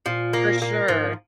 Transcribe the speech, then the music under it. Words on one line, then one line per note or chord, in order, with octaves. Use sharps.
For sure.
A#2 F3
A#3
A#3
G#2 F3